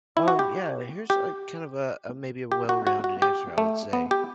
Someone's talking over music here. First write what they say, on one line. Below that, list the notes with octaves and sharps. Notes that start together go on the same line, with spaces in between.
Um, yeah, here's a, kind of a a, maybe a well-rounded answer, I would say.
E4
F#4
G4
G4
G4
F#4
F#4
F#4
G4
A3
B3
G4